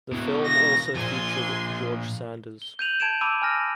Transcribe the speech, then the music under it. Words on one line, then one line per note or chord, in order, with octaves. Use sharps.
The film also featured George Sanders.
B2 E3
A#6
A#2 F3 G#5 C6
G7
G6 D#7 F7 F#7
A5 G#6 D7 E7
A5 B5 D6 E6 D#7
G#5 F6 A#6